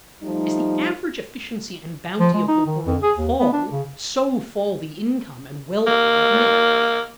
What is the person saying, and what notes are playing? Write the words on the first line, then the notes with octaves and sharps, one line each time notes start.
As the average efficiency and bounty of the world fall, so fall the income and welfare of men.
F3 G3 A3 D#4
F3
G#3
D#4
D#3
F2
G#4
D#2
B3
D4
C#3
A#3